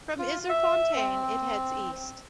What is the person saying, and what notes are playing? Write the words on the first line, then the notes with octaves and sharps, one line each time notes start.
From Yzerfontein, it heads east.
F4
E5
C4